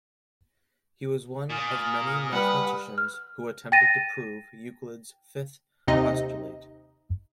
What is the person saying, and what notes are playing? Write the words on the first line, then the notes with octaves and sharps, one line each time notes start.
He was one of many mathematicians who attempted to prove Euclid's fifth postulate.
A#2 G#5 D#6 F6
G3 B4 F#5
F6
G5 A6 A#6 D#7
D#2 C3 C4 D#4 D#5